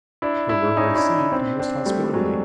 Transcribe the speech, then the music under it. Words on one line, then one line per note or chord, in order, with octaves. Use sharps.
They were received most hospitably.
D4 E4
D4 E4
C#4 D#4
D4 E4
C4 D4
C4 D4
G3 A3
G3
F#3 G#3